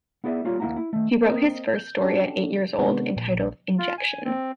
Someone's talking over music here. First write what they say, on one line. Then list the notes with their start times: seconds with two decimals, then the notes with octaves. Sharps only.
He wrote his first story at eight years old entitled Injection.
0.24 B3 E4 G#4 D5 E5
0.44 G3 A#3 F4 C#5
0.60 D#2 A#3 C4 E4 F#5 A#5
0.76 E4
0.93 D#3 A3
1.24 A#3 C4 A#4 D#5
1.76 G6
2.01 C#4 D4 F#4 G4 A4
2.78 C3 D#3 G#3 B3 D4 F#4
3.16 A#1
3.79 F4
3.98 G#5
4.25 C4